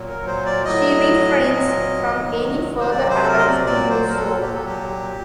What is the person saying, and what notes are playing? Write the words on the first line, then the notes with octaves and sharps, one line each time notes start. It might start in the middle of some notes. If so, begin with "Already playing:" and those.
She refrains from any further attempts to do so.
Already playing: A#2 F#3
A#4
C5
D5
A2 F#3 D#5
A#2 F#3
C3 D#3 F#3
C5
C3 F#3 D5
C5
A4
A#4
D#5
D5
A#2 F#3 D5
C5
A#4
A4
A#2 F#3 G4
A4
G4